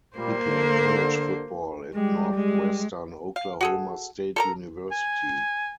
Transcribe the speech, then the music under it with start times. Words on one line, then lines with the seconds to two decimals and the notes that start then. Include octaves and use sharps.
He played college football at Northwestern Oklahoma State University.
0.17 A#2 G3 A#3 C5
0.48 D3 A4
1.94 G3 G#3 G4
2.34 G#3
3.36 F5
3.61 F#4 G#4 A4
4.36 A4 A#4 A#5
4.91 G#5